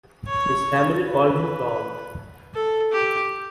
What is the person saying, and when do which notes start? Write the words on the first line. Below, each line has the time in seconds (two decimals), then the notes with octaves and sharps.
His family called him Tom.
0.27 C#5
1.03 B4
2.54 A4
2.92 G4